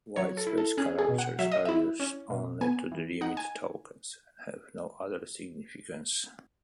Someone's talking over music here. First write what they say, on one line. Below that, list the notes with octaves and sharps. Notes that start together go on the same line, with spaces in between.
Whitespace characters are used only to delimit tokens, and have no other significance.
F#3 C#5
A4
E4
A4
C#4 G#4
G#4
B2
F#5
F#3 E5
D#5
E4 E5
C#4
B2
B3 G#5
E3
D#4 F#5
G#5